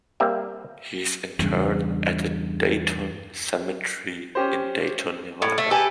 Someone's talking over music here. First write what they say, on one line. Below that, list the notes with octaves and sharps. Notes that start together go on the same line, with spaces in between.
He is interred at the Dayton Cemetery in Dayton, Nevada.
G3 A#3 C4 G4 E5
E2 G2 C#3
C#4 G4 C5
A2
A3
G4 A4 B4 G#5